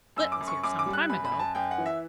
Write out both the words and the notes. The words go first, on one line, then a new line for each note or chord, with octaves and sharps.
Split was here some time ago.
F#2 E6
D6
F#2
C#6
F#2 D6
D6
G3
F#6
F#2 B5
B5
F#2
A5
F#2 G5
F#5
E3
E5